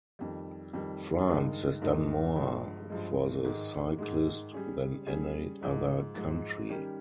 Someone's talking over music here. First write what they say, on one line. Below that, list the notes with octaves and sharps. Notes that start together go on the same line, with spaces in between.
France has done more for the cyclist than any other country.
F2 D#3 G3
F2 D#3 G3
G2 D#3 G#3 D#4 A#4
G2 D#3 G#3 D#4 A#4
G2 F3 G#3
G2 F3 G#3
G#2 D#3 G#3
G#2 D#3 G#3
G3 C#4 G#4
G3 C#4 G#4
G#2 F3 G#3
G#2 F3 G#3
D#3 G3 C#4 G4 A#4